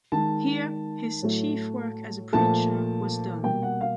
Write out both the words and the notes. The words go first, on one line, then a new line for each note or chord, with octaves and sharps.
Here his chief work as a preacher was done.
D#3 G#3 A5
A2 F#3 A3
A#2 F3 A3 A5
B2 G3 A#3 G5
F#5
F5